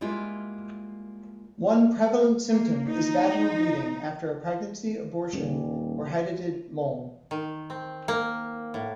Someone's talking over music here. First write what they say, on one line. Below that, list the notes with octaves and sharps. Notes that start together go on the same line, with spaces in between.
One prevalent symptom is vaginal bleeding after a pregnancy, abortion, or hydatid mole.
G3 G#3 A#3 E4 F4
A#3
D#4
D#1 G3 C#4
D#3
C4
A#3
A2